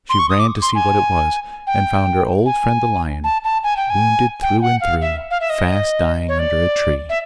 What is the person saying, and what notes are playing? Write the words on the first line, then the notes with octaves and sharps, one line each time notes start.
She ran to see what it was, and found her old friend the lion, wounded through and through, fast dying under a tree.
C6
C#6
D#6
D6
C6
G#5
G5
G#5
A5
A5
G#5
G5
G#5
G5
F#5
F5
E5
F5
E5
D#5
C#5
D5
E5